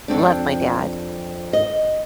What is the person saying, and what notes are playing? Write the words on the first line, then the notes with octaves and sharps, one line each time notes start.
love my dad-
F2 G#2 C4 D4
D#5